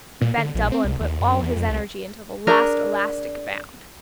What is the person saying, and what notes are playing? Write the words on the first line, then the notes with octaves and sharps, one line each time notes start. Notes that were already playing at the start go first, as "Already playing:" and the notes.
He bent double, and put all his energy into the last elastic bound.
A#2
D3
A#1
C4
C2
D#2
F#2
E2
F2
C2
D4 G#4 A#4